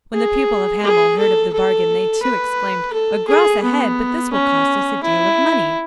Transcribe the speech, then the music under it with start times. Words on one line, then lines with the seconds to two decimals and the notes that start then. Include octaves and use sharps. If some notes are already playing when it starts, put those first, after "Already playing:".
When the people of Hamel heard of the bargain, they too exclaimed: 'A gros a head! but this will cost us a deal of money!'
0.13 G#4
0.83 G#4
1.18 A4
1.54 A4
2.23 B4
2.93 A4
3.28 G#4
3.63 B3
4.33 C#4
5.03 E4